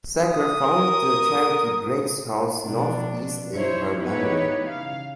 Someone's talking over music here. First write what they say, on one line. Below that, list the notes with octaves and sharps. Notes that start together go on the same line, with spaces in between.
Secker founded the charity Grace House North East in her memory.
D#6
A#4
B2 F3 D4
F#2 D#4 E4 C5 C#5
B3 D#4 E4 G4 B4 C#5
C#3 F5